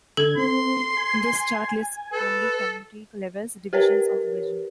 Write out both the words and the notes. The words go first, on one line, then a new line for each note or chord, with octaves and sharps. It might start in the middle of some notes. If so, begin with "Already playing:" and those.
This chart lists only county-level divisions of Beijing.
D3 A4 G#6
C4 C6
G#5
A4 B4
G4 A#4 B4 C#5